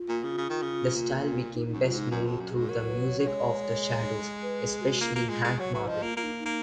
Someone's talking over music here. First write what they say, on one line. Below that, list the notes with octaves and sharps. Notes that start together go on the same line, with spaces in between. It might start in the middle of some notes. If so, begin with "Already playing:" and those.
The style became best known through the music of the Shadows, especially Hank Marvin.
Already playing: F4
A#2
C#3
C#3
D#3
C#3
A#2
D#4
D#4
F#2
F4
G#2
D#4
F#2 F4
F2 F#4
F#2
G#4
G#2
G#4
F#3 A#4
A#4
B4
C#5
F#3
G#3
B4
G#4
F#4
A#3 F4
A#3
G#3
G#3
F#3 C#5
F#3 B4
F3 D#5
A#3 F4
A#3 F4
D#4
D#4
A#3